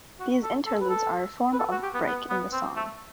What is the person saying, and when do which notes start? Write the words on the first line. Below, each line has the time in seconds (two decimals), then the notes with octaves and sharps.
These interludes are a form of break in the song.
0.20 F#4
0.43 A4
0.66 A4
0.81 B4
0.90 A4
1.53 B4
1.59 A4
1.71 F#4
1.83 G4
1.94 B3
2.06 B3
2.30 B3
2.52 C4
2.76 A3